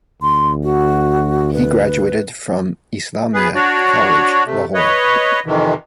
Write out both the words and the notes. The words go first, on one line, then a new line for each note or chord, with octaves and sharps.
He graduated from Islamia College, Lahore.
D2 C6
F#4
B4
B3 G#4 B4
D4 F#4 C#5 D5
C3 A3
B4 C#5 D#5
F2 C3 D#3 E3